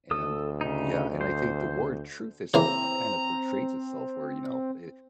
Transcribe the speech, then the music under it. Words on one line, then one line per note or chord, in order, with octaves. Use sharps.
And, eh, eh, yeah, and I think the word "truth" itself, uh, kind of portrays itself where, you know, i d
D2 A4 D#6 E6
C#3 D#4
C5
C#3 E3 A#3 C4 A#5